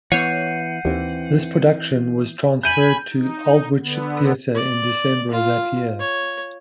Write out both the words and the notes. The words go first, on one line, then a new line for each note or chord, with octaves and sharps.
This production was transferred to the Aldwych Theatre in December of that year.
E3 B3 C#5 F#5 G6 C7 D#7
D#2 E3 C4
G#5 B5 G6 D#7 F#7
D#4
D3 B3
D5
F4
C#5